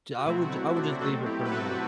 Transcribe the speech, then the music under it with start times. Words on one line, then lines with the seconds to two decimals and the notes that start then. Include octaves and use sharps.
Ju I would I would just leave it for now.
0.18 F#4
0.26 B2 F#3 A3 C4 E4
0.42 F#4
0.52 E4
0.76 D4 F#4
1.01 B2 F#3 A3 C4 F#4 A4
1.26 E4 G4
1.45 B4
1.52 F#4 A4